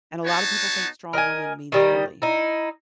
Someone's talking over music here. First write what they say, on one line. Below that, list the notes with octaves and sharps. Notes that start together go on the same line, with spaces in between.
and a lotta people think strong woman means bully.
B3 D#4 F#4 C#5 A5
A#4 D#5 G5 G#5
D#3 G3 D#5
D#4 E4